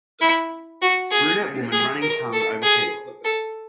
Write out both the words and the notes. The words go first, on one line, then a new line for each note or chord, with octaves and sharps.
Brunette woman running tongue over teeth.
E4
F#4
G#4
G#4
A#4
A4
G#4
A4